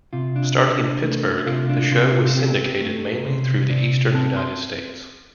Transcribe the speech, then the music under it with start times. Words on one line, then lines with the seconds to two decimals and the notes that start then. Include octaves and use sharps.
Starting in Pittsburgh, the show was syndicated mainly through the eastern United States.
0.13 C3 F4
0.36 D4
0.57 D4
1.03 A3
1.46 C3 F4
1.69 D4
1.91 C3 F4
2.13 F4
2.36 C4 G4
2.81 A3
3.25 C3 C5
3.70 C3 D5
4.14 C4 A5
4.37 C6